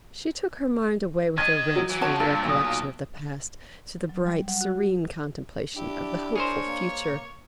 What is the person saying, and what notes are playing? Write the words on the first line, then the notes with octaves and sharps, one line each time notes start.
She took her mind away with a wrench from the recollection of the past to the bright serene contemplation of the hopeful future.
D#3 D#5 G#6 A6
F#3
E3
E2 F3 F#4 C#5 A5
G2 A#2 A4
B1 D#6
F#3
G3
F#5
F#4
D4 E4 G4
G#4 A#4 C5 C#5
A#3